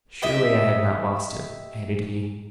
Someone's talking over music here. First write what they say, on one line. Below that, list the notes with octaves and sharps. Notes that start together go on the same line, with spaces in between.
'Surely, I have not lost it,' added he.
G4 D#5 E5